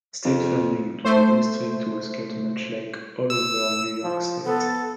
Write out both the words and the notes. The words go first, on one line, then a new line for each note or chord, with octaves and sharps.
State funding to the district was cut much like all over New York State.
F2
A3 C5
E6
F3
B3 A4